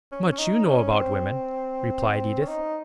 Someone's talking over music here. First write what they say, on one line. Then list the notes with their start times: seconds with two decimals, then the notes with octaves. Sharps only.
"Much you know about women," replied Edith.
0.12 C#4
0.32 C#4
0.39 D#4
0.65 C#4
0.90 C4
2.42 C#4
2.48 D#4